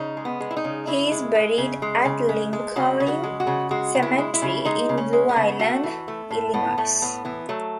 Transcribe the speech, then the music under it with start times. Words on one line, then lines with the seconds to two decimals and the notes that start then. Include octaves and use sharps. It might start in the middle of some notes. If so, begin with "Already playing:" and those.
He is buried at Lincoln Cemetery in Blue Island, Illinois.
Already playing: C#3 D#4
0.17 G#3
0.25 B3
0.40 G#3
0.51 E4
0.57 D#4
0.64 C#3
0.87 C#3 E4
1.12 G#3
1.35 G#3
1.58 C#3
1.82 G#3
2.05 C#3
2.29 G#3
2.53 G#3
2.76 C#3 F#4
3.00 C#3
3.08 F#4
3.24 G#3
3.40 F#4
3.47 C#3
3.71 G#3 F#4
3.95 C#3
4.02 E4
4.18 G#3
4.34 E4
4.42 C#3
4.65 G#3 D#4
4.89 C#3
4.98 C#4
5.13 G#3
5.29 B3
5.36 C#3
5.59 A3 F#4
5.83 E3
6.08 A3
6.31 A2
6.54 A2 B3
6.78 A2 A3
7.02 A2 B3
7.25 E3 B3
7.49 F#3 A3